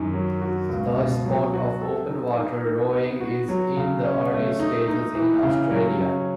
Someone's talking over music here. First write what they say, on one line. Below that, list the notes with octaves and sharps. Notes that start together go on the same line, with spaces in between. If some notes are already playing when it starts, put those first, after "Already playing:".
The sport of open water rowing is in the early stages in Australia.
Already playing: F#2 D#3
F#3
F#4
C#2
B2
F#3
F#4
A4
D#4
D#4
D#4
B3
F#4
F#3
C#3
C#4
A3
D#4
D#4
E3
C#3
F#3
C#4